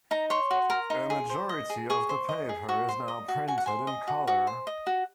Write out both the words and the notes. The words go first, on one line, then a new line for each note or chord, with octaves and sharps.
A majority of the paper is now printed in color.
D#4 A#5
C#5 C6
F#4
A#4
D#4
G#4
C5
D#5
G#4
G#4 C#6
C5
D#5
G#4
F#4 C#6
C5
D#5
F#4
F#4 G#5
F#5
C5 G#5
D#5
F#4
F#4
C5
D#5
F#4